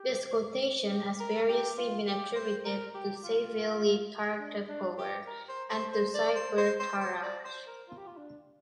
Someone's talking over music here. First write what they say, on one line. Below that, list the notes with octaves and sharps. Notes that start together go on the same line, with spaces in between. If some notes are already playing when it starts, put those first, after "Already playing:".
This quotation has variously been attributed to Savielly Tartakower and to Siegbert Tarrasch.
Already playing: G4
G4
A#4
G4
F4
G4
C5
A#4
G4
F4
D4
D4
G4
A#4
C5
C5
C5
D5
C5
C5
C5
C5
D5
C5
A#4
F4
G4
F4
D4